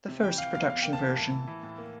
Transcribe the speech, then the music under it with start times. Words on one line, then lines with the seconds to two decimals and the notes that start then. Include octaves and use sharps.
The first production version.
0.08 C3
0.23 E3 G5
0.38 E3 F5
0.54 E3 F5
0.69 E2 F5
0.82 A#3 G5
0.93 A5
1.01 E3
1.16 A2 A5
1.31 E3
1.47 E3
1.63 A2
1.78 A#3